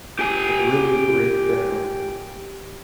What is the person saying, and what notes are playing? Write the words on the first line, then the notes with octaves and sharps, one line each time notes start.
but really break down
G4 G#5